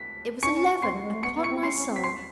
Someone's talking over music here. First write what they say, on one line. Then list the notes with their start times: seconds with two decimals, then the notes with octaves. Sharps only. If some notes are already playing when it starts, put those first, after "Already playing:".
It was eleven, upon my soul!
Already playing: B6
0.43 C#4 C#6 C#7
0.50 D4
0.57 C#4
0.82 C4 C6 C7
0.93 G3
1.03 G#3
1.13 A3
1.23 B3 C#6 C#7
1.37 B3
1.43 C#6 C#7
1.50 C4
1.63 C#4 C6 C7
1.77 C#4
1.91 C4
1.96 B6
2.04 C6 C7